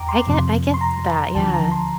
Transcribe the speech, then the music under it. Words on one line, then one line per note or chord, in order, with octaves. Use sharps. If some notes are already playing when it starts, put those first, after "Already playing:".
I get I get that. Yeah.
Already playing: E2 G5 A#5 D6
C6
F2 C3 F3
C6
A#5
D2 D3 F3 A5
A#5
C6